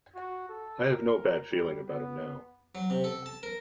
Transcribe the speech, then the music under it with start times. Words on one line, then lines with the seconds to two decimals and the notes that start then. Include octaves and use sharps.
I have no bad feeling about him now.
0.15 F#4
0.49 A4
0.89 A#4
1.50 G3
1.88 B3
2.75 F#3
2.90 C3
3.04 A4
3.26 A5
3.43 A#4